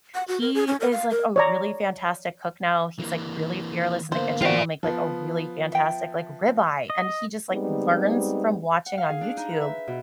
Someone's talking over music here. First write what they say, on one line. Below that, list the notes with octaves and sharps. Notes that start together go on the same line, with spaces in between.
he is, like, a really fantastic cook now. He's, like, really fearless in the kitchen, he'll make, like, a really fantastic, like, rib eye, and he just, like, learns from watching on YouTube.
F#5
F#4
A#4
G#4
C#4
A#4
F5
A#4
C#5 D5 A#5
E3 A#3
D3 A#3 B3 C5
C4 F4 F#4 D5
F3 B3
E5 G5
D#5
G3 G#3 B3 C4 D#4
F#5
F5
G#4
D4
D#4
B4
E5
B2